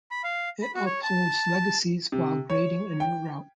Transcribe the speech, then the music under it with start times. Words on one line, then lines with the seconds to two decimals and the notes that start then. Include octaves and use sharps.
It upholds legacies while grading a new route.
0.11 B5
0.24 F5
0.62 B5
0.75 F#4
0.86 C#5
1.03 A5
2.12 C3
2.50 C#5
3.00 G5